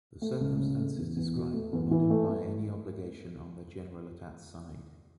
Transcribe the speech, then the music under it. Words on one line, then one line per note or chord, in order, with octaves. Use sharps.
The circumstances described will not imply any obligation on the Generalitat's side.
A3
C#2
C#3
A3
E2
E2
B2
A3
E2
E3
A3
A3